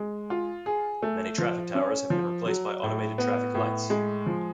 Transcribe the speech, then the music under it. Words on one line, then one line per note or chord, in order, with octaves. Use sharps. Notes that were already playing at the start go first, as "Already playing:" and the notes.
Many traffic towers have been replaced by automated traffic lights.
Already playing: G#3
F4
G#4
A3
F3
C#4
F3
F#3
A2
B3
A2
G#3
F3